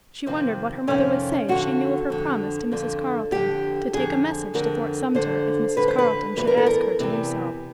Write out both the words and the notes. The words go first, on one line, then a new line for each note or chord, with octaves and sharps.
She wondered what her mother would say if she knew of her promise to Mrs. Carleton to take a message to Fort Sumter if Mrs. Carleton should ask her to do so.
F2 C3 D#3 C4
F2 C3 D#3 C#4
F2 D3 F#4
F2 D3
F2 D3
F2 D3 G4
F2 D3 G#4
F2 D3 A#4
F2 D3 C5
F2 D3 B4
C5
B4
E2 C3 E3 B4
A#4
A4
A#4
E2 C3 E3